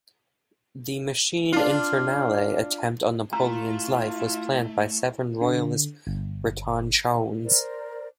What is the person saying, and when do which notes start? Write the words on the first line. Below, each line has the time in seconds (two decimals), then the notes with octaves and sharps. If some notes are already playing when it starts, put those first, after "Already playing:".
The "machine infernale" attempt on Napoleon's life was planned by seven royalist Breton chouans.
1.53 D4 F4
3.33 A3 E4 F4 A#5
5.41 D3
6.07 G1
7.43 A#4 C5 D5